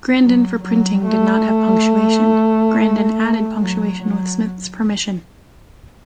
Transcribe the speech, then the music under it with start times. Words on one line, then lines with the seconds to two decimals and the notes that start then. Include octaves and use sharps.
Grandin for printing did not have punctuation; Grandin added punctuation with Smith's permission.
0.21 F#3
0.64 F#3
1.06 A3
3.61 F#3
4.03 F#3